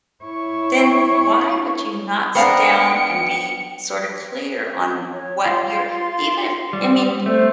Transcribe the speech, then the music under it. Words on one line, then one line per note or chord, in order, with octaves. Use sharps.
then why would you not sit down and be sorta clear on what you're even if I mean
E4 C#5
B3 D4 C5 F5 G5 A#5 C#7
C#5
F4 C6
G3
A3 C5